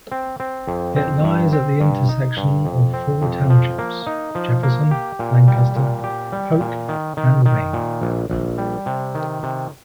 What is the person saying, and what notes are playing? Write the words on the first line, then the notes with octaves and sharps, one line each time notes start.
It lies at the intersection of four townships: Jefferson, Lancaster, Polk and Wayne.
C4
C4
F2
C4
G2
C4
G2
D#4
G2
F2
C4
F2
F3
A#3
D#4
F3
A#3
G4
A#2
G3
A#2
G4
G3
A#2
D#3
D#3
D#3
A#2
A#1
A#1
G3
C3
D#3
C3